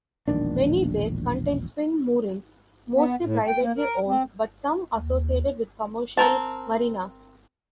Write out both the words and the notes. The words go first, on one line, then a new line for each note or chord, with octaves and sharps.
Many bays contain swing moorings, mostly privately owned, but some associated with commercial marinas.
E1 A#1 D#3 D4
B3
A2
G5
A#3
A#4
C4
D#2
C4 A#4 A5